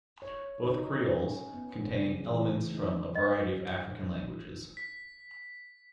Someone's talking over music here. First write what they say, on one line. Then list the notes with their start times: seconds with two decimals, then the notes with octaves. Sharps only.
Both creoles contain elements from a variety of African languages.
0.22 C#5
0.66 D#4
0.87 C#4
1.08 C#4
1.53 B3
1.91 C#3
2.26 E3
2.74 D#4
3.15 D#5
4.77 B6